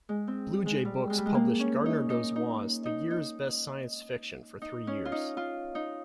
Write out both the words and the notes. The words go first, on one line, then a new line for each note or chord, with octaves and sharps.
Bluejay Books published Gardner Dozois's "The Year's Best Science Fiction" for three years.
G#3
C4
G#3
G3
G#3
G3
G#3
A#3
C#4
D#4
D#4
D#4
D#4
D#4
D#4
C#4
F4
D#4
F4
D#4